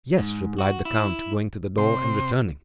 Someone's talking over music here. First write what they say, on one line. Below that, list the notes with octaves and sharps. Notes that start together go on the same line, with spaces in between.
"Yes," replied the count, going to the door, and returning.
G#2
F#4
E4
C3 C6